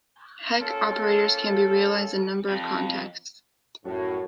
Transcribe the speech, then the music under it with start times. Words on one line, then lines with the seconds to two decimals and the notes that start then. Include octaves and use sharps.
Hecke operators can be realized in a number of contexts.
0.60 A#3 C#4 F4 A4
2.48 F2
3.85 F#2 A2 F#4 A4 C#5